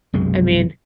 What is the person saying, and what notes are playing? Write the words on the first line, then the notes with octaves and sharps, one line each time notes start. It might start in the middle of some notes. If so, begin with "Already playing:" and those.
I mean
B1 F#2 C3 G#3